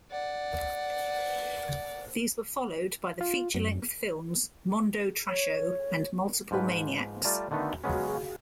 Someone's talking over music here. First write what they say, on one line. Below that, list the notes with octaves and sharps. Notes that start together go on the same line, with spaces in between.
These were followed by the feature-length films "Mondo Trasho" and "Multiple Maniacs".
D5 F#5
F4
F#2
C#5
G#2 F3 B4
G3 A3 F4 D5 A5 A#5
D3 D#3 A3 B3 D#4
C#3 F#3 G#3 B3 C#4